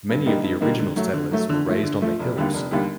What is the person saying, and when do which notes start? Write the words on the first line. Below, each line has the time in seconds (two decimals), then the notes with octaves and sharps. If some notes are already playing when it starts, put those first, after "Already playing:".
Many of the original settlers were raised on the "hills".
0.09 G2
0.26 D3 G3 A#3 D#4
0.43 G2
0.61 D3 G3 A#3 D#4
0.79 D3
0.96 F#3 A3
1.13 D3
1.31 F#3 A3
1.49 D3
1.66 F3 A3
1.83 D3
2.02 F3 A3
2.19 F1
2.36 D#2 D3 G3
2.54 F1
2.71 D#2 D3 G3